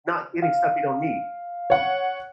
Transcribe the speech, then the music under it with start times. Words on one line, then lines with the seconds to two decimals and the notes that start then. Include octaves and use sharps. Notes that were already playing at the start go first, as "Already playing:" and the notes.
not getting stuff you don't need.
0.42 F5
1.70 C#5 F#5